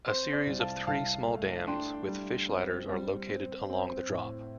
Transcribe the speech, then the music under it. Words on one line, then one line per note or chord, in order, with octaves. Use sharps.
A series of three small dams with fish ladders are located along the drop.
C4 C5
D5
C2
F5 A5
C2 F5 A5
A3
D4 G5 C6
G3
C4
G3
C4
C4
A2